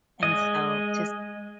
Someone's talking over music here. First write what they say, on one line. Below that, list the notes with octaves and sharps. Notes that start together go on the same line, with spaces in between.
And so to
G#3 D#5